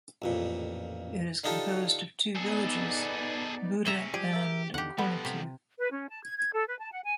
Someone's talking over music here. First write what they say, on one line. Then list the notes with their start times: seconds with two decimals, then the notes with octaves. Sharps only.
It is composed of two villages, Buda and Cornetu.
0.22 A1 F2 A#2
1.44 D3 D4 D#4 F4 G4 A4
2.36 B3 D#4 G#4 A4 D5
3.85 C3 C#4 G#4 E5 A#5
4.14 F3 G3 G4 G#4
4.33 A#4 E5
4.74 E2 D3 D#3 G4 F#5
4.98 G2 F3 B3 A4 F#5
5.25 C3
5.78 B4
5.91 C#4
6.09 A5
6.23 G#6
6.37 G#6
6.53 A4
6.67 B4
6.79 A5
6.91 F#5
7.04 G#5